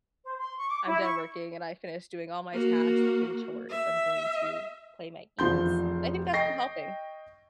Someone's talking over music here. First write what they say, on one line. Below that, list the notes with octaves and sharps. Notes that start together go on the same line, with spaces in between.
I'm done working and I finished doing all my tasks and chores, I'm going to play my games. I think that's been helping.
C5
C6
C#6
D6
E4
C#6
A#3 F#4
E5
F1 E2 F3 C6 G6
D#5 G5 C#6 A#6 C7